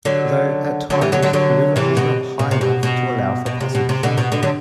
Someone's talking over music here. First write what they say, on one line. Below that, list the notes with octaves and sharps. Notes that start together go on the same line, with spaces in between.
Though, at times, the river is not high enough to allow for passage.
D3 F#3
D3 F#3
E3 G3
D3 F#3
D3 F#3
D3 F#3
C3 E3
B2
B2
C3
B2
B2
B2
C3
B2
C3
B2 D3
B2
B2 D3
D3 F#3